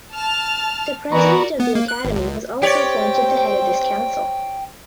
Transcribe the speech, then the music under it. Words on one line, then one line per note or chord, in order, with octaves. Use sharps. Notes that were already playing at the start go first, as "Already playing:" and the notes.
The President of the Academy was also appointed the head of this council.
A5 F6
E3 B3 F#4 A#4 D5 A#5 C#6
B3
A#3
F#6
G#1
C#2
C4 G4 C#5 D5 G5